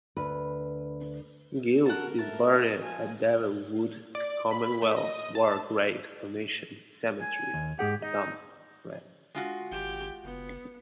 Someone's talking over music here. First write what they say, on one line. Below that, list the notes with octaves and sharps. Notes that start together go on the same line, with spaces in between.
Gill is buried at Delville Wood Commonwealth War Graves Commission Cemetery, Somme, France.
D2 B4
F#4 A#4 F#5 A5
A3 A5
F3 G#5
D5
B5
A3
D#5
A5
G#5
D#2
G#2 G4 G#4 F#5
D#4 D#5
G#3 F4 F#4
G#1 G4 G5
F#1 B3